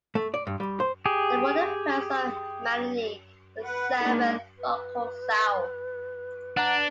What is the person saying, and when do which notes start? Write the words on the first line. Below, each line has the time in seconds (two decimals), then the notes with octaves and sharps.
They were the parents of Malani, the seventh "Roko Sau".
0.15 A3
0.34 D5
0.47 G2
0.60 G3
0.80 C5
1.06 G4 G#4
3.64 B4 F#5
4.01 G#3 A#3 D4 D#4
4.59 B4
6.57 D4 F#5 A#5